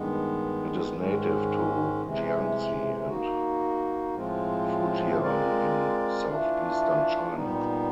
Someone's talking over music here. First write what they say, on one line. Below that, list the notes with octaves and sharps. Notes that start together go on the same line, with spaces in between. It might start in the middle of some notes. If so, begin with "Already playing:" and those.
It is native to Jiangxi and Fujian in southeastern China.
Already playing: G2 D#3 G#3 B3
G#2 D#3 G#3 C#4
C3 E3 G#3
A#3 D#4 F#4
A2 F3 G#3 C4 F4
G#3 C4 F4 A#4 D5
E3 A3 D4 F4
A#2 G3 B3 D#4